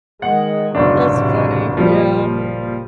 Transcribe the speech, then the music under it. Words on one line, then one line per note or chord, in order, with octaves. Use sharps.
That's funny, yeah.
D#3 G#3 F#5
F#1 D2 G#2 B2 D4
A1 C3
F#1 A#2 F3 G3